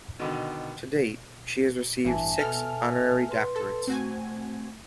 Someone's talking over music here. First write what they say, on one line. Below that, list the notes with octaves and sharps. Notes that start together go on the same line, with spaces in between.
To date she has received six honorary doctorates.
B2 D3 D#3
A1 G2 E3 E5 G#5 A5
B2 A4 F6
B4 C6
A4
A3 C4 F#4 G#5